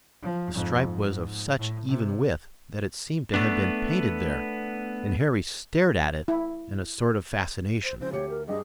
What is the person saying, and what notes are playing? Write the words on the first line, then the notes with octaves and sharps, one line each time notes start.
The stripe was of such even width that it seemed to have been painted there, and Harry stared at it in a sort of fascination.
F3
F2 G#2
G#2
A2
C3
A3 B3 D4
E4
C5
C#3 F3 G#3 C5
D2 G4 C#5 C#7
A#4
G2 G3 G4 G#4 D#5